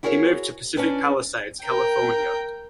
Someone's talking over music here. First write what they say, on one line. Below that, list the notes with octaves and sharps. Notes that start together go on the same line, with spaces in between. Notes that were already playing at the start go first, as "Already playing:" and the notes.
He moved to Pacific Palisades, California.
E4 F#4 G#4 A#4 B4 C#5
C#4 D4 B4
A#4 G5